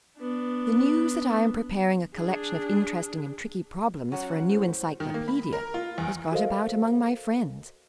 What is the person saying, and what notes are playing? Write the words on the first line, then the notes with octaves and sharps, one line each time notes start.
The news that I am preparing a collection of interesting and tricky problems for a new "Encyclopaedia" has got about among my friends.
B3 D4
D4 G#4
F#3 C#4 F#5
A2 C5
D#3
A#3
B5
A#4
F4
E2
F#4 A4 A#4 C5 D#5 F5